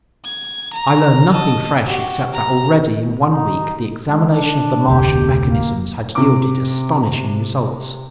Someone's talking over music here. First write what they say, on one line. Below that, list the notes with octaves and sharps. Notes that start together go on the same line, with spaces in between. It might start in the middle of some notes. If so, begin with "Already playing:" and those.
I learned nothing fresh except that already in one week the examination of the Martian mechanisms had yielded astonishing results.
G#6
A#5
D#5 A5
F#4 G4
A#5
D#4
G#3
D4
F1 D2 G4
A#3
C3 D6